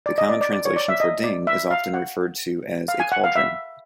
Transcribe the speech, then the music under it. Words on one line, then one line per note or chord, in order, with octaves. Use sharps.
The common translation for ding is often referred to as a cauldron.
D5
D#5
D5
D5
D5
C#5
D5
E5
D#5
D5
E5
F5
F#5
F5
G#5
F#5
F5
E5